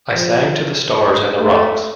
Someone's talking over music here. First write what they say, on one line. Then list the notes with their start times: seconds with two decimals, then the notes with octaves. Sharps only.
I sang to the stars and the rocks.
0.14 F3
1.40 A3